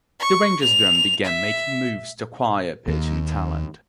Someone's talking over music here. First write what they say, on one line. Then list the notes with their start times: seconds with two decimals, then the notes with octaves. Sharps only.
The Rangers then began making moves to acquire pitching talent.
0.20 C#6
0.61 F7
1.25 E5
2.88 D#2